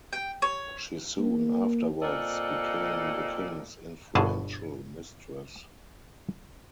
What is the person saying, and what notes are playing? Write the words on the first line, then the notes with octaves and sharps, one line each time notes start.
She soon afterwards became the king's influential mistress.
G5
C#5
A#3
A#2 C4 A4 D5 D#5
G1 G2 B2 D3 G#4 A5